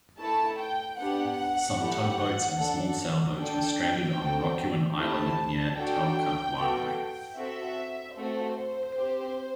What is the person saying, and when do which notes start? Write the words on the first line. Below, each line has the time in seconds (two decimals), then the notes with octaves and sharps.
Some tugboats and small sailboats were stranded on Rocuant Island near Talcahuano.
0.18 A3 E4 A4 A5
0.58 G5
0.98 B3 D4 G4 F#5
1.78 A3 E4 G4
2.58 D4 A4
3.37 D4 A4 G5
4.17 C4 F#4 A4
4.97 A3 C4 E4 G4 A5
5.77 D4 F#4 A4 G5
6.57 B3 F#4 A4
7.36 C4 F#4 A4 E5
8.16 A3 C4 F#4 A4 C5
8.96 C4 G4